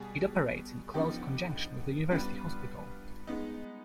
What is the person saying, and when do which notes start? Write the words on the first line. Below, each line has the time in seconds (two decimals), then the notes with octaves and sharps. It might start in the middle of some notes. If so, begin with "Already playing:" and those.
It operates in close conjunction with the university hospital.
Already playing: B2 G3 G#4
0.94 D3 F3 B3 D#4 G4
2.11 G3 B3 D4 F4 B4
3.27 G#3 B3 D#4